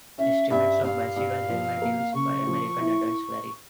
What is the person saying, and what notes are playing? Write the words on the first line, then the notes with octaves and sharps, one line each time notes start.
Estimates of bicycle-helmet use by American adults vary.
C#4 E5
G2 E5
G2 F5
G2
F3
A#3
C#3 C#6
F3
E4